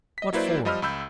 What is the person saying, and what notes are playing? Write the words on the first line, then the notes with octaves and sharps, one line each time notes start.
"What for?"
D#5 B6
F#3 A#3 E4 B4 C5 D5
F3 G3 D#5 B5 E6 F6
C#2 B5 E6 G6